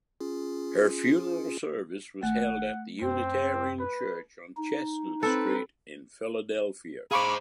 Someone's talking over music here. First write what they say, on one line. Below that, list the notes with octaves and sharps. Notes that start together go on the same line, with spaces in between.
Her funeral service was held at the Unitarian Church on Chestnut Street in Philadelphia.
C#4 F4 G#4
G#1 A3 F#5
F#2 C4
B4
D#4
C4 A4 B4
G#4 C5 F5 B5 C#6 D6